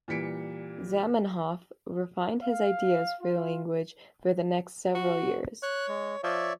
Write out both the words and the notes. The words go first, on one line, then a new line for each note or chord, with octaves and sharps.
Zamenhof refined his ideas for the language for the next several years.
A#2 E3 G3 B6 C#7 D7
F5
F4
F#4
C#5 F#6
G#3
F3 C#5 D5 E5